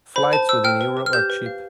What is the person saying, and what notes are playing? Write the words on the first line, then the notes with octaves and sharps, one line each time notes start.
Flights within Europe are cheap.
C5 B5
C5 A5
C5 E6
G5 F6
B4
B4
F6
G4 G6
B4
F5